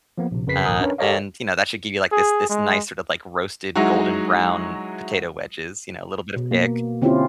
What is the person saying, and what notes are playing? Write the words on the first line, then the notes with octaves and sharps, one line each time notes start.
Uh, and, you know, that should give you, like, this this nice sort of, like, roasted golden brown potato wedges, you know, little bit of kick.
F3 A#3 B3
A#1 C3
F2 C#3 A#4 B4 B6 C7
A#1 D#2 G#2 A#4 D#6
C#4 D4 A#4 B4 C#5
G4 A4 A#4 C#5 D#5 F5
G#4
G#3
F#3 G#3 D#4 E4 F#4
B2
A#3
D3 C4 C#4 E4 F4 G4